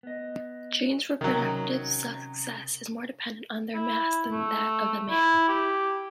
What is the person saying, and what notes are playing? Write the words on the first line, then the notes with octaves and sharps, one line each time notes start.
Gynes' reproductive success is more dependent on their mass than that of a male.
B3 D#5
C3 D#3 F#3 C#4 G5
E4
A3
E4
G4